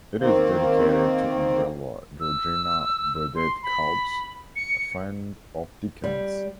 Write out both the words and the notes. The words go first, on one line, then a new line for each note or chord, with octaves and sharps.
It is dedicated to Angela Georgina Burdett-Coutts, a friend of Dickens.
D#3 A#3 C4
E6
C6
B5
C#7
G3